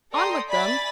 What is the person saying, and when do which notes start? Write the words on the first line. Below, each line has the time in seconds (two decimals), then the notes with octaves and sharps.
On with them!
0.12 A4 D5 G5 A#5 C6 D#6
0.47 D5 E5 G#5 B5 A6 B6